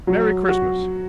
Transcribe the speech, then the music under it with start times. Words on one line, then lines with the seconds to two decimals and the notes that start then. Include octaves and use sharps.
Merry Christmas!'
0.07 F#3
0.49 F#4